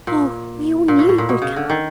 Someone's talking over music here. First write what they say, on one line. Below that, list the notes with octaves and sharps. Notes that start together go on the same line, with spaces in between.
'Oh! we all knew you would come.
A#2
A#2
A2
A2
A#2
B2
C#3
D3
D#3